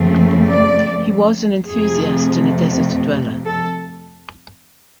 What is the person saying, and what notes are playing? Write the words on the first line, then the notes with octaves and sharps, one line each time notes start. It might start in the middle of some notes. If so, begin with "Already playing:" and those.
He was an enthusiast and a desert dweller.
Already playing: F#2 C#3 F3 A3 C4
D5
F2 C3 F3 A3 G#4
A4